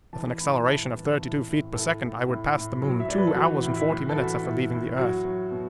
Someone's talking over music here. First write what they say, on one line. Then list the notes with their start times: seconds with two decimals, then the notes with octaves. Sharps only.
With an acceleration of thirty-two feet per second, I would pass the moon two hours and forty minutes after leaving the earth.
0.13 E3 A5
0.39 A2 B5
0.67 A2 A5
0.94 E3
1.21 A2
1.48 A2
1.74 A2 A4
2.01 A2
2.28 A2
2.55 A2
2.81 F#3
3.00 E5
3.08 F#3 D5
3.18 B4
3.27 A4
3.35 E3 F#4
3.62 A2
3.76 E4
3.90 A2
4.09 A4
4.16 E3 F#4
4.43 A2
4.71 A2
4.97 F#3 F#4
5.25 F#3
5.51 B2